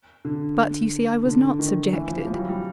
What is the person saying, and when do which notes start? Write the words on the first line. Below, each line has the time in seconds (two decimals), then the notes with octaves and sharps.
But you see I was not subjected.
0.25 D3
1.26 D3
1.42 D3
1.59 D#3
1.93 E3
2.10 F3
2.19 E3
2.26 F3
2.33 G3
2.38 F#3
2.49 G3